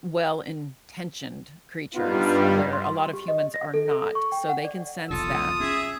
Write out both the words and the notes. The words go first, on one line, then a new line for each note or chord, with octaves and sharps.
well-intentioned creatures where a lot of humans are not. So, they can sense that
G2 G3 B3 D#4 F4
C6
C6
G4
D#5
A#6
A4
A4
C#6
G5
F#5
D5
E1 B1 C3 F4 A4 D#6
C4 C#4 G#4 E5